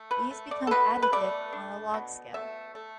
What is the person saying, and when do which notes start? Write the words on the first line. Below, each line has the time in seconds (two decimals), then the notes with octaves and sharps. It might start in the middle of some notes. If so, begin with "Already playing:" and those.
These become additive on a log scale.
Already playing: A3
0.11 B4
0.31 A3
0.51 D5
0.67 A4
0.71 B2 B4
1.02 B4
1.13 A3 D5
1.53 D4
1.94 B2
2.34 A3 E5
2.75 A3